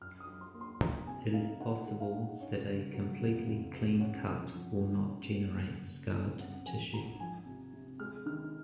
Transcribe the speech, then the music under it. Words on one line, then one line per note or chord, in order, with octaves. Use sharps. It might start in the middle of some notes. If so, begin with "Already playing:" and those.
It is possible that a completely clean cut will not generate scarred tissue.
F#2 F6
D#6
F#3
C6
A#3
C6
F3 A#5
C3 G#5
D#4 F5
D#4 F#5
G#3
F5
D#4
C#4
C#3
F#3
F2
F2
C3
C#4 F#5
F3
F3
G#2
C#4
A#3
C#3
C#3
C4
C#4 F#5
F3 G#5
G#2 A#5
F3 G#5
C3
C3
G#3 F6
D#3 F6